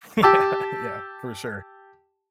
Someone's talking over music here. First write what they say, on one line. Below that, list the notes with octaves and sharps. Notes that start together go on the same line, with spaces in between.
Yeah. Yeah. For sure.
G4 A5 D6 E6